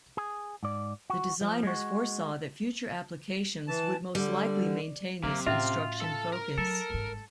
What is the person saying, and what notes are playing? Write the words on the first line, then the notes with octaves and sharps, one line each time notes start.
The designers foresaw that future applications would most likely maintain this instruction focus.
G#4
G#2 D5
F#4
F3
G#3 F#4
E3 A5
D3 G3
F2 C3 F#3 A#3
A2 C#4 F4 F#4 E5
A4 A5
A#4
F#3 A4
G1 G#2